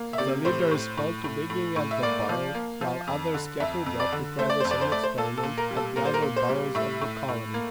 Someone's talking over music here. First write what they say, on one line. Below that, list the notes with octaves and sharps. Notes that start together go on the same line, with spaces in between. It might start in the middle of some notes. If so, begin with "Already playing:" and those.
The leaders fell to digging at the burrow, while others scattered off to try the same experiment at the other burrows of the colony.
Already playing: A#3
E5
C3 D5
A2 C5
A2
A2
A2
A2
A2
E5
A#3 D5
F3
A#3
F3
F2
D3
F2 E5
F2
D5
D3
A3 C5
D5
F2 C5
D5
C5
A3 D5
C5
A#2 A4
A4
A#2
A#4
G3
A4
A#2 A#4
C5
A#4
A#2
C5
G3
A2 E5
A2
A2
A#3